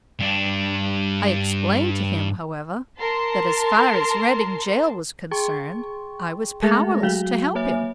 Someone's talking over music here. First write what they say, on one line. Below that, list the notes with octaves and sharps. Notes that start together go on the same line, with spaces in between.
I explained to him, however, that as far as Reading gaol was concerned, I was powerless to help him.
G2 D4
A#4 A5 C6
G#4 G5 C6 C#6
G#3 A3 G#4 E5 A#6
F#3 F#4 F5 G7
A#3 C#5 E5 G#5